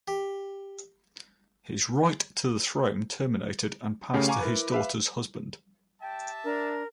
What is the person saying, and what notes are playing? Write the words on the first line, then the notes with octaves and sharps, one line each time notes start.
His right to the throne terminated and passed to his daughter's husband.
G4
C#3 A3 C#4 G4
F5 G#5 A#5 C#6 D6
E4 A#4 B4
B4 E5 F5
G4 E5 G5 A5
D4 A#4